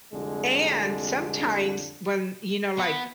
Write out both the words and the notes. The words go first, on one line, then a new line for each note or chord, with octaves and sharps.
and sometimes when, you know, like,
C2 F2 D3 G#3
B3